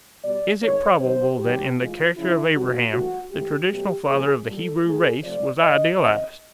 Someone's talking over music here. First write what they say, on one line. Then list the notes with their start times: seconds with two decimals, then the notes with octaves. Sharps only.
Is it probable that in the character of Abraham the traditional father of the Hebrew race was idealized?
0.24 B2 G3 D5
0.63 G#2 D#3 G#3 C#5
1.01 F#2 D#3 F#3 C5
1.39 G#2 D#3 F#3 G4
1.78 A2 E3 G#3 F4
2.16 F2 C#3 F3 E4
2.54 F2 C3 D#3 G3 F#4
2.93 G2 E3 A3 F#4
3.31 G#2 E3 A3 G4
3.69 B2 F#3 A3 G4
4.08 A#2 F3 G#3 G#4
4.46 A#2 G3 A4
4.84 G#2 F3 A3 G#4
5.23 C3 F3 A3 D5
5.61 A2 E3 A3 D#5
6.00 E2 C3 D#3 D#5